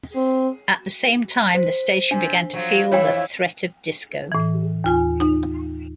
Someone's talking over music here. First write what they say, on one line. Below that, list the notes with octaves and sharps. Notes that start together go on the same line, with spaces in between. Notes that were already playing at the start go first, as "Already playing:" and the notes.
At the same time, the station began to feel the threat of disco.
C4
C5
C3 D4
F3 F#3
F2 E3 E4 C#5 G5
A2 E3
D#2 F4 G#5
D#4